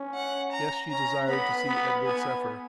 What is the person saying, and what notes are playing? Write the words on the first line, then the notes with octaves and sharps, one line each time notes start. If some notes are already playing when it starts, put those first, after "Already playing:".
Yes, she desired to see Edward suffer.
Already playing: C#4
F#5
A#5
C#4 A#5
B3 B5
B3
B3 G#5